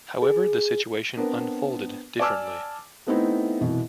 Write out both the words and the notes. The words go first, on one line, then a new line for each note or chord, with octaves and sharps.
However, the situation unfolded differently.
G#4
B3 C4 D4 A#4
D5 G#5 A5 D6 E6 F6
A3 B3 C4 D#4 E4
C2 B2 E3